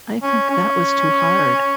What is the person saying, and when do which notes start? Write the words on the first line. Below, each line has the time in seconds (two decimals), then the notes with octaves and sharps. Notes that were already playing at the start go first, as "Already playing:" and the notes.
I think that was too hard.
0.22 C#4
0.50 C#4